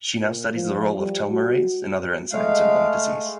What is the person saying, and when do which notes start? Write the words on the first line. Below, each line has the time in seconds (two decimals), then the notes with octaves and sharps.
She now studies the role of telomerase and other enzymes in lung disease.
0.19 A#2
0.56 F3
0.98 G3
1.31 F#4
2.32 G#3 A3 F5